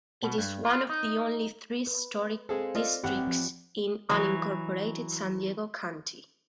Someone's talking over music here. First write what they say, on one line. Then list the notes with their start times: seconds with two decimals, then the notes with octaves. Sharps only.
It is one of only three historic districts in unincorporated San Diego County.
0.23 B2
0.38 G2
0.65 F4
0.89 D#4
1.87 B4
2.49 G#3 C4 G#4 A4 C5 F5
2.75 F4 A4 D5 D#5
3.04 A1 C4 G4 F#5
3.27 F3
4.10 E3 F#3